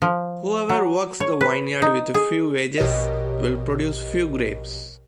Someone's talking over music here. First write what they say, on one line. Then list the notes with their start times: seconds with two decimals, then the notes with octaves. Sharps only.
Whoever works the vineyard with few wages, will produce few grapes.
0.02 F3
0.69 F#3
1.20 C#5
1.41 B4
1.82 D#4
2.14 G#4
2.78 A#1 B2 G4 A#4 C#5 D#5